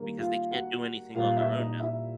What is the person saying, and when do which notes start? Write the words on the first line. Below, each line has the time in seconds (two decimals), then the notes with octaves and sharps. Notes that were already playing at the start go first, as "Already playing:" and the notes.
because they can't do anything on their own now.
Already playing: D#3 G3 A#3
0.18 F4 F5
0.51 F#4 F#5
1.15 A#2 G3 A#3 F4 F5
1.37 E4 E5
1.58 D#4 D#5
1.80 E4 E5